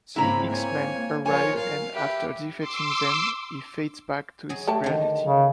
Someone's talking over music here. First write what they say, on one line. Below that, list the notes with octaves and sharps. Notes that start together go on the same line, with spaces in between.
The X-Men arrive and after defeating them he fades back to his reality.
G#2 C#3 G#3 A#3 C4 E4 A#5 B5
A#3 C#5 G#5
F3 F4 A#4 C#5 G#5
F#3 F5
G4 B4 E5
C6 D6 E6
F#3 G#4
A3 G4 A5
D3 D#3
C#3